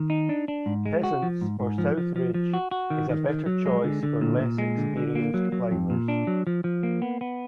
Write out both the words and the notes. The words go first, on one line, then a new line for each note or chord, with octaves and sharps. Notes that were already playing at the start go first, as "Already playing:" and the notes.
Peasants or South Ridge is a better choice for less experienced climbers.
Already playing: D#3
D#4
D4
D4
G#2
G#3
F#4
F3
G#2
G#2
F3
F3
F3
F3
F#4
F#4
D#3
D#3
D#3
F#3
G#3
D3
D3
A#2
A#2
G#3
D3
D3
A#3
F#3
F#3
F2
A#2
D4
F#3
F3
F3
A#3
B3
B3